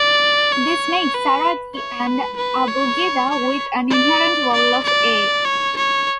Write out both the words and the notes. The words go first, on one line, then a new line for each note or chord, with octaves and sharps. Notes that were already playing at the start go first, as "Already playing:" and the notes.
This makes Sarati an abugida with an inherent vowel of "a".
Already playing: D5
C#5
B4
C#5
B4
B4
C#5
C#5
D5
D5
D5
C#5
C#5